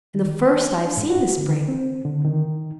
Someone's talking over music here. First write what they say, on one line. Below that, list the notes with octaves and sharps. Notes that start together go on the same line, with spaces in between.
And the first I have seen this spring.
D#3
D4
G#2
F#4
D3
C4
D3
D#3